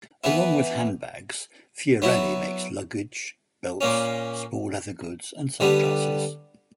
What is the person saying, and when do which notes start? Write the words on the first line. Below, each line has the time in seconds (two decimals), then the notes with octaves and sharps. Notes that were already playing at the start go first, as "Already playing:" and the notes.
Along with handbags, Fiorelli makes luggage, belts, small leather goods and sunglasses.
0.24 E3 B3 E4
2.02 F#3 B3 E4
3.81 A#2 A#3 C#4
5.60 D3 G3 B3